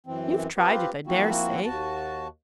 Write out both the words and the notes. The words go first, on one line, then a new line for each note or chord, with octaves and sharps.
You've tried it, I dare say.'
F#2 E3 C4
C4 F4 G4 B4
F3 A#3 C4 E4 F#4
D#2 F#4 A5